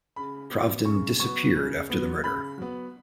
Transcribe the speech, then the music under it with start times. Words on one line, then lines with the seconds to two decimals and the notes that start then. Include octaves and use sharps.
Pravdin disappeared after the murder.
0.16 C#3 B5
0.52 F#3 B3
0.85 C#3 C#6
1.20 F#3 B3 C#6
1.55 C#3
1.90 F#3 B3
2.24 C#3 B5
2.58 F#3 B3